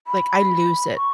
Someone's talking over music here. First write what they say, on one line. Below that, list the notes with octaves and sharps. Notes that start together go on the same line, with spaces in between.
Like, I lose it.
B5
C#6